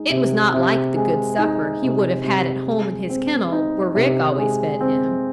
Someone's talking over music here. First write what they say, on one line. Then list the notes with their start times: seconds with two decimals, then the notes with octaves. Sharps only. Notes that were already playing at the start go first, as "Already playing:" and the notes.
It was not like the good supper he would have had at home in his kennel, where Rick always fed him.
Already playing: G#3 D#4
0.10 C3
0.54 C3
0.96 G#3
1.38 D#4
1.82 C3
2.24 C3
2.67 G#3
3.10 C4
3.52 D#4
3.95 C3
4.38 G#3
4.81 C4